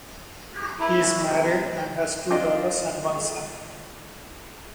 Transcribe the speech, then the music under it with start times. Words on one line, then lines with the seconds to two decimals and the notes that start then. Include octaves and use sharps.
He is married, and has two daughters and one son.
0.80 E4
1.28 C3
2.30 D4 F4 D#5 G5 D6